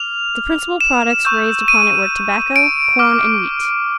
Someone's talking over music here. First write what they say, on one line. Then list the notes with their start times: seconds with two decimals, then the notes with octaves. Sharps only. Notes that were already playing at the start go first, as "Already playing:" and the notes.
The principal products raised upon it were tobacco, corn, and wheat.
Already playing: D6 F6 F7
0.81 E7
1.25 C#6 E6 G6
1.68 D#7
2.56 D7
2.99 D6 F6